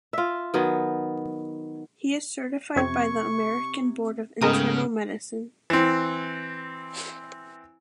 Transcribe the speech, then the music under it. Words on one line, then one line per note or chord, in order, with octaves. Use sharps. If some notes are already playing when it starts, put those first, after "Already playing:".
He is certified by the American Board of Internal Medicine.
F4 E5
D#3 F#3 B3
F2 C3 C4 C#6 G#6
G#2 C#3 G#3 A3 B3 A#4 G5 D#6
E3 C4